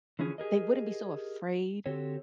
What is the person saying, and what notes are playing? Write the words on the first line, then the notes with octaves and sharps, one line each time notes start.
they wouldn't be so afraid
D3 E3 F3 C#4 G#4
G4 G#4 A#4 D#5
D3 C4 F#4 G4 A4 C#5